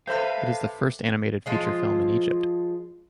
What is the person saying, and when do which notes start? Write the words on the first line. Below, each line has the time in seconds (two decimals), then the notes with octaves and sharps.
It is the first animated feature film in Egypt.
0.07 C3 A4 B4 C5 E5 F5
1.46 F3 G#3 F4